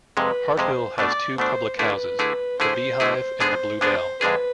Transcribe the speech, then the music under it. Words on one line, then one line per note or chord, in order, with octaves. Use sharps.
Harthill has two public houses: the "Beehive" and the "Blue Bell".
F2 C3 G#3 B4
F2 C3 G#3 C5
B2 A3 D4 D5
B2 A3 D4 C5
D3 A3 E4 G#4 B4
D3 A3 E4 G#4
D3 A3 E4 G#4 C5
D3 A3 E4 G#4
D3 G#3 B3 D4 G#4 C5
D3 G#3 B3 D4 G#4 C5
F2 D3 G#3 D4 G#4 B4